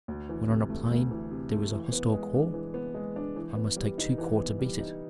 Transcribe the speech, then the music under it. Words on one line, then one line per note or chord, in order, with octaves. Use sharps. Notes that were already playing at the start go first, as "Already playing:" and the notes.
When on a plain there is a hostile corps, I must take two corps to beat it.
D2
E3
C3
A3
D2
E3
C3
A3
E3
B3
G#3
D4
E3
B3
G#3
D4
E3
B3
G3
D#4
E3
B3
G3
D#4